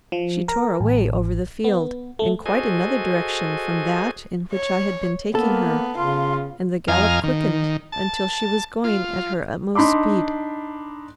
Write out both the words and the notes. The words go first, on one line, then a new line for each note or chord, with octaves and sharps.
She tore away over the field in quite another direction from that in which I had been taking her, and the gallop quickened until she was going at her utmost speed.
F3
A#4
A1
B3
A3
F#4 G#4 A4 C5 D#5 G#5
C#5
A#3 B3 A4
C#3 F4 C6
F2 D#5 F5 G#5 A#5 F6
D#3
A5
F4
D4 D#4 B5 C6 D6